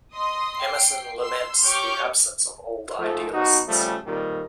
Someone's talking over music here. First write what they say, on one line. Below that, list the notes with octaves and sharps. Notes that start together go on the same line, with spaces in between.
Emerson laments the absence of old idealists.
D#5 C6 D#6
G5 C7
C6 E6
G4 C#5 C#6 D6 F6 G6
G#2 F3 A3
B2 D#4 F#4
C#3 F3 G3 A3
F2 A#2 D#3 G3